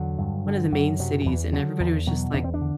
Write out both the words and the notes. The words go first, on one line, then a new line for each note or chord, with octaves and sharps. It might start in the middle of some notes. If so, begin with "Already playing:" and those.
one of the main cities, and everybody was just, like,
Already playing: E2 D3 F#3
G2
D3
F#2
C3 F#3
E2 E3
D3 F#3
E2
B2 F#3
E2 D4
C4
D4
D3